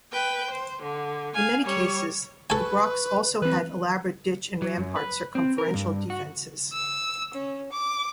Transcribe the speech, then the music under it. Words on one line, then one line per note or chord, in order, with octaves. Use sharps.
In many cases the brochs also had elaborate ditch and rampart circumferential defences.
B4 G5
C5
D3
F5 G#5
G3 C#5
A4 B4 G#5 C#6
E3 C4 B4
F#3
F#2
B4
C4
A#4
G2
F#4
E6
C#4
D6